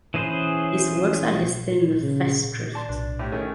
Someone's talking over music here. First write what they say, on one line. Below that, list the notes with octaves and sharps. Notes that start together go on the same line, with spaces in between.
His works are listed in the festschrift.
E3 C#4 G#4 B4 C5
C#3
D5 A5 C6
B1 D4
A2 E4 G4
D#3 A3 C#4 G#4